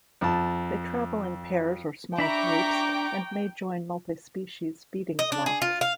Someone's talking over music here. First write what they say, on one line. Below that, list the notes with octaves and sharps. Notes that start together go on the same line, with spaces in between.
They travel in pairs or small groups, and may join multi-species feeding flocks.
F2 A5
D4 E5 G5 A#5 B5 C#6 D6
D#5
D4
G#4
F4
F5